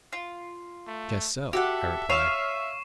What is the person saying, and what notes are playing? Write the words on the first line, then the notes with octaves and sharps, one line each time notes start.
"Just so," I replied.
F4
A3
F#4 G4 A4 E5 F#5
C#5 F5 C#6 E6 C7 E7